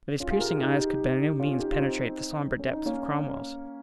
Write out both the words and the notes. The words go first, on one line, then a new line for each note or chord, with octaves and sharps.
But his piercing eyes could by no means penetrate the sombre depths of Cromwell's.
C#4 F4
F4 G#4
G4 A#4
F4 G#4
D#4 G4
C#4 F4
D#4 G4
F4
C4 D#4
C#4
D#4
A#3 C#4